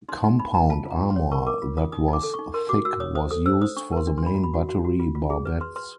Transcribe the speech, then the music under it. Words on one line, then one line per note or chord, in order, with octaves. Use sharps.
Compound armor that was thick was used for the main battery barbettes.
D#4 C6
D#4 C6
D#4 B5
D#4 A#5
F4 A5
F4
A#5
F4
C6
C#5
A#4 C#6
A#4 D6
F4
F4 D#6
D#4 D#6
D#4 D6
A4
C#6
D#4
A#4 C6
F#4 D6
F#4 E6
C#5 D#6
C5 D#6
A4 D#6
C5 E6
C5 D#6
D4 C#6
A#4 C6
D4
C6
D4 B5
F#4 A#5
B5
F#4
F#4
F#4
F4
F4
G#4
B4
B4 C6
B4 C6